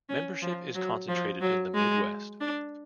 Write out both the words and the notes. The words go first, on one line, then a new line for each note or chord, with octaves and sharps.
Membership is concentrated in the Midwest.
C#4
F3
F#3
F3
F#3
G#3
D4